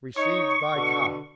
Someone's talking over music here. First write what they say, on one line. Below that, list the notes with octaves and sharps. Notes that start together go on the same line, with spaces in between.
"Received thy cart."
D#4 C#5 C#6
B2 D3